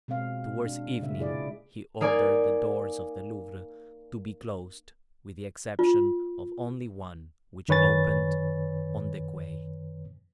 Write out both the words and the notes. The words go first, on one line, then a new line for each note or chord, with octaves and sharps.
Towards evening he ordered the doors of the Louvre to be closed, with the exception of only one, which opened on the quay.
B2 G#3 C4 F5
D4
A#2 C#3 G#3 E5
E4 G#4 D5
A#3 D#4 D5 G#5
F4
F#2 D#3 B4 C#5 G#5 A6